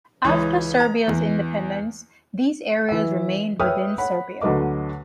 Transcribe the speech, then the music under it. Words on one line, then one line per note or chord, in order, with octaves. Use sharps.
After Serbia's independence, these areas remained within Serbia.
C#2 E3 C#5 D#6
A#5
E2
E3 E5
B4 C#5 E5 G5 D#6 F6
C#5 F#5 B5
D2 D3 F#3 B4 D#5 D6